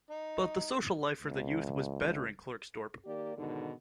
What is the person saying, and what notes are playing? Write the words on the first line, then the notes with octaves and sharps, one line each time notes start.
But the social life for the youth was better in Klerksdorp.
D#4
C#2
D#3 A#3 G4 D5
G#2 B2 D3 D#3